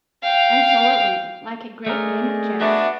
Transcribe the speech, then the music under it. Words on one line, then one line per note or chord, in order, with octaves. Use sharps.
And so it went-like a great game of chess.
F5 G5
A3 G#4 A#4 D5 D#5
B3 D4 F#4 E5